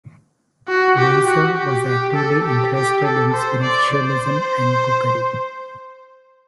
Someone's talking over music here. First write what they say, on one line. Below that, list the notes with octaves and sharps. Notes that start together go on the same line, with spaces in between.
Louisa was actively interested in spiritualism and cookery.
F#4
G4
F#4
G4
G4
A4
G4
G4
A4
C5
D5
C5